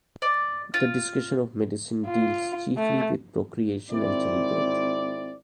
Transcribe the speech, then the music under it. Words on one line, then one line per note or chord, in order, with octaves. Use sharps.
The discussion of medicine deals chiefly with procreation and childbirth.
D5
F4
F4
A3
G#1 C4 E4 D5